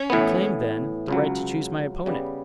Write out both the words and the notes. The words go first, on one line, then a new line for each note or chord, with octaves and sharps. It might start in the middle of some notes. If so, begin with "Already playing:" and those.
I claim, then, the right to choose my opponent.
Already playing: C#4
A2 E3 B3
C#2 C#3 F#3
C#3 G3 B3